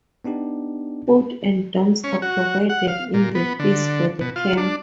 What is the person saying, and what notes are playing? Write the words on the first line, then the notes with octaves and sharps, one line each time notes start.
Food and dorms are provided in the fees for the camp.
B3 D4 D#4 G4
C#4
F#4
F#5
F5
A#2
B3
D3
B2
F4
D4